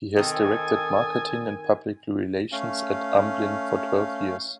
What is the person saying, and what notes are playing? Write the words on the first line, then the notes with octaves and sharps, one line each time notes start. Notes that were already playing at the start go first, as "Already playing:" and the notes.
He has directed marketing and public relations at Amblin for twelve years.
D#3 C4 A4 G#5 D#6
A3 C#4 F5